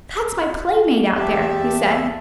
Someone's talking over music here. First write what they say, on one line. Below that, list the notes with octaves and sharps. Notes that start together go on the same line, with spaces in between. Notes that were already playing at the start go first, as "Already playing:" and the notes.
"That is my playmate out there," he said.
E2 G4 E5 A5